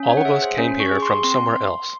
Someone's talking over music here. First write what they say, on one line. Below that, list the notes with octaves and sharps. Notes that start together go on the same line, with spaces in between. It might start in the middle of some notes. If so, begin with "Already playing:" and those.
All of us came here from somewhere else.
Already playing: C#4
C#5
F#5
G#4 E5
C5
C#4
C#6
G#4
C6
C4 C6